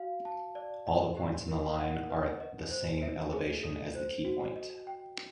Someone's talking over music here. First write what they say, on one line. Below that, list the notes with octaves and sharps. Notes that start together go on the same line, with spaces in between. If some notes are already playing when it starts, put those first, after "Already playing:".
All the points on the line are at the same elevation as the keypoint.
Already playing: F#4 F5
A5
D5
D#5
G4
A#4
F#5
B4
D#5
C5
E5
G#4
A4
C5
F#4
D#5
G5